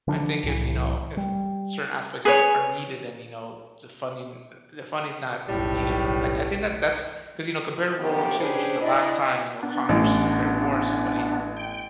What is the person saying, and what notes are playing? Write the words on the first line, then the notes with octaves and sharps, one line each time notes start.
I think if, you know, if certain aspects are are needed, then, you know, the funding uh, the funding is not needed. I I think that that's 'cause, you know, compared to World War II, which is the last time, you know, Congress declared war on somebody,
D3 E3 F3 D4
C2 A2 E3
G3
G#4 B4 C#5
F#1 B1 A2 G3
F#2 C3 D#3 F3 B3 G4
C#4 D4 G4 G#4 B4 C5
D4 E4 D5 D#5
B3 D4
A1
G5